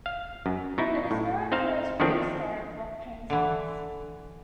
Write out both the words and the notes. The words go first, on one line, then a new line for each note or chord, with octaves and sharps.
It is known for its prehistoric rock paintings.
F5
F#2
B2 D#4 E4
A2
C4 D#4 C5 F5
E2 D3 D#3 F3 C4 D4
D3 E3